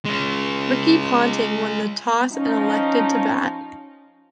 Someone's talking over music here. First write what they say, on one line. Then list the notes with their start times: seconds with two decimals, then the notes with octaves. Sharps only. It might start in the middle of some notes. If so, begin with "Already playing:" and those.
Ricky Ponting won the toss and elected to bat.
0.05 G#3 C#4
2.32 F3 C#4 D#4